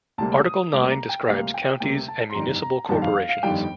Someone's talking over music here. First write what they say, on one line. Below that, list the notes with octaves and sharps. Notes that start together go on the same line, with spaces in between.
Article Nine describes Counties and Municipal Corporations.
D2 C3 G3 A#3 A5
D#6
D2 C3 G3 A#3 D6
A#5
G5
D2 C3 G3 A#3 F5
G5
D2 C3 G3 A#3 G5
A5
C6
G1 F2 D#3 G3 A#5
A#5
G1 F2 D#3 G3 A5
F5
F5
F5
G1 F2 D#3 G3 G5